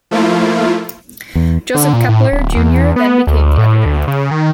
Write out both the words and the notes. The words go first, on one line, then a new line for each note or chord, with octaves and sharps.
Joseph Keppler Junior then became the editor.
F3 A3 A#3 E4 F4
E2
D3
A#2
A2
D1
E2
B3
D2
A2
D2
C#3
D#3